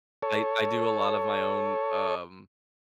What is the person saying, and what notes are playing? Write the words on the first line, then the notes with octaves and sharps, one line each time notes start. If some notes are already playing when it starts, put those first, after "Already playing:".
I I do a lot of my own, um,
A4 C#5